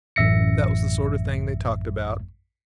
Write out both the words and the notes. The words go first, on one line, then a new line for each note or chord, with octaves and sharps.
That was the sort of thing they talked about.
A1 F#2 E5 A#6 C#7